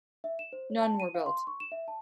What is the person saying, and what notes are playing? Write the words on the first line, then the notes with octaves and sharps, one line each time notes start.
None were built.
E5
E7
C5
C#5
A5
D#7
F5
C6
C#6
E7
E5
A5